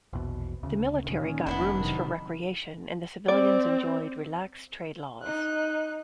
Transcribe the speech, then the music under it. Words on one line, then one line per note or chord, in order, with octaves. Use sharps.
The military got rooms for recreation and the civilians enjoyed relaxed trade laws.
A#1 E2 B2
D2 C#3
A#2 D#3 C#4
F1 B3 D4 E4
C3 D#3 F#3
C4 D5
D#4 F#6